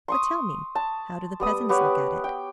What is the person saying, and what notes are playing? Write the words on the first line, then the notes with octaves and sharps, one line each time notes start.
But tell me, how do the peasants look at it?
C6 C#6 D#6
A5
G3 B3 D#6
B3 G4 C#5 F#5
G5